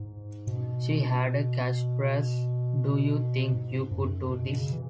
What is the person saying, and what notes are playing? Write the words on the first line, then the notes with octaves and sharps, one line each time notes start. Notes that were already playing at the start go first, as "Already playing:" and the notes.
She had a catchphrase: Do you think you could do this?
Already playing: G#2
B2
G#2
F#2
B2
C#3
E3